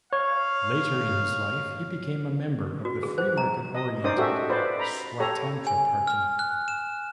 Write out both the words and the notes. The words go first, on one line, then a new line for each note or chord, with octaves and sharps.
Later in his life, he became a member of the free-market-oriented Swatantra Party.
C#5 F5
F#4
G#4
C5
A#5
D#5 D#6
C#4 D#4 A#4 C5 D5 D#6
F#4 G4 A4 D#5 E5
F4 B4 C5 D5
A#5 B5
G4 A4 C#5 A#5
G#5
F6
F#6
E7